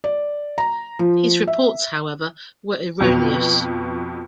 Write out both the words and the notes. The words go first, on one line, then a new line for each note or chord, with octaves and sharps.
These reports, however, were erroneous.
D5
A#5
F3
E5
F2 B2 B3 F7